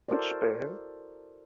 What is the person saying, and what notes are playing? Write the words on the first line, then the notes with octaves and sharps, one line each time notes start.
Which pen?
E4 F#4 A4 A#4 C5 D5